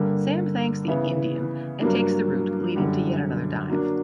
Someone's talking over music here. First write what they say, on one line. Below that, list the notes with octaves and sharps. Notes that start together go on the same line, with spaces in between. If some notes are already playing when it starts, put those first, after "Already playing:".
Sam thanks the "Indian" and takes the route, leading to yet another dive.
Already playing: G2 D3 G3 A#3
C#3 E3 B3 E4
G2 F#3 A#3 D4
F#2 D3 G3
F#3 A#3 D4